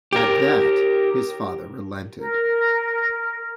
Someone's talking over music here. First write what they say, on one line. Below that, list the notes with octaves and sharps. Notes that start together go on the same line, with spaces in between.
At that, his father relented.
G4 A#4
A#4